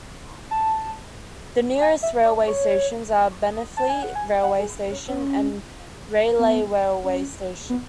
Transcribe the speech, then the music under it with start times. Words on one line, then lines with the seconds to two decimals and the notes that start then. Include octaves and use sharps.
The nearest railway stations are Benfleet railway station and Rayleigh railway station.
0.51 A5
1.81 G#5
2.03 E5
2.25 D5
2.47 C#5
3.77 A5
3.90 G#5
4.02 F#5
4.15 G#5
4.43 F#5
4.59 G#4
4.91 C#4
5.09 C#4
6.39 B3
7.04 C#4
7.70 B3